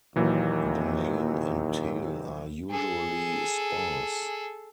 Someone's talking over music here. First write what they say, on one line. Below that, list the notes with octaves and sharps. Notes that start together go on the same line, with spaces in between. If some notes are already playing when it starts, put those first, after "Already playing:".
The mane and tail are usually sparse.
D#2 A#2 E3 F#3
G#4 A4